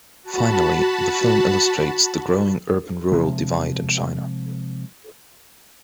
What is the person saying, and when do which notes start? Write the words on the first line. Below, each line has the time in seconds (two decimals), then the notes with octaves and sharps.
Finally, the film illustrates the growing urban-rural divide in China.
0.23 F#4 A5 B5
3.11 C3 F3 G#3